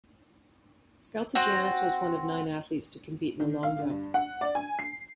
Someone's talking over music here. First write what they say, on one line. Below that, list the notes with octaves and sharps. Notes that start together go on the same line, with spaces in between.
Skaltsogiannis was one of nine athletes to compete in the long jump.
C4 F#4
D#3
F5
D3
G2
F#5
D5
G#5
C7